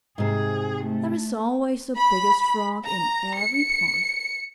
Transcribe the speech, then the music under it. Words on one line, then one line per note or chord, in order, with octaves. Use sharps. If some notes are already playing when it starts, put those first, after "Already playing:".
There is always a Biggest Frog in every pond.
G#2 C3 G#4
A3
B5
A#5
C#7